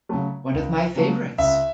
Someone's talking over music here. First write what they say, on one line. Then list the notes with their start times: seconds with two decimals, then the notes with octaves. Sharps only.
One of my favorites.
0.09 C#3 F#3 A3
0.53 C#2
0.95 C#3 F#3 A3
1.38 C#2 E5